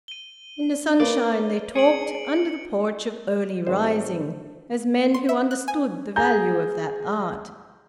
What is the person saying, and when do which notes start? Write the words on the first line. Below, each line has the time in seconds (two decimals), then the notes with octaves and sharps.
In the sunshine they talked under the porch of early rising, as men who understood the value of that art.
0.08 D#7 G7
1.00 A#3 B4 C#5 D5
1.75 G#4 C#7 D7 F#7
3.67 G#1 C5
5.14 C6
5.29 E5
5.51 F#6
5.68 G#5
6.16 G#4 G#5 A#5 G6